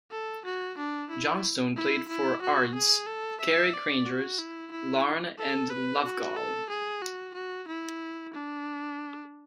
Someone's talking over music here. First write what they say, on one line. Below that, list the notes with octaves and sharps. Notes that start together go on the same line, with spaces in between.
Johnstone played for Ards, Carrick Rangers, Larne and Loughgall.
A4
F#4
D4
E4
E4
E4
F#4
G#4
A4
E5
D5
F#4
E4
E4
A4
B4
F#4
A4
G#4
F#4
F#4
E4
D4